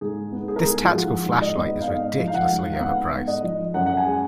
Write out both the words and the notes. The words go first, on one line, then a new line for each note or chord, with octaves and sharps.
This tactical flashlight is ridiculously overpriced.
G#2 G#4
B3
G#4
A#4
G#2 G#4
F4
F3 F#4
G#2
D#5
B3
F5
G#2 D#5
F3
F5
F#5
G#2
F5
B3 F#5
G#2
D#5
F3
F#2 F#5
F#5
G#5
G#3